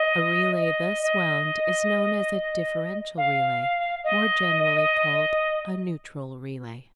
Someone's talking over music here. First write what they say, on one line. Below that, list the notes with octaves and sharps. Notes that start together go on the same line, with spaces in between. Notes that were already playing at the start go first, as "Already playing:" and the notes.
A relay thus wound is known as a differential relay--more generally called a neutral relay.
Already playing: D#5
D#5
D#5
F5
D#5